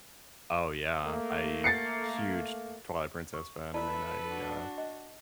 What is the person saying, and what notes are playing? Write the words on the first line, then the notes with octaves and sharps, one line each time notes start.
Oh, yeah, I huge Twilight Princess fan, I mean, I uh, a
A3 A#3
A6 C7 C#7
C#6
E4 A4 B4 D5 E5 A5 B5
D4 F#4
D#5